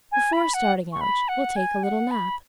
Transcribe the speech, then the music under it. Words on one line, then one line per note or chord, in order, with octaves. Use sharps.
Before starting out, we'll take a little nap.
G#5
B5
F#5
C#6
B5
F#5
G#5
F#5
B5